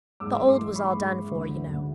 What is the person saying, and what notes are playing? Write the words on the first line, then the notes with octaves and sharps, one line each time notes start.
The old was all done for, you know.'
G#2 D6 E6
G#2
C6 D6
E3
G#2 B5 C#6
G#2
G#2
D2
D3
D2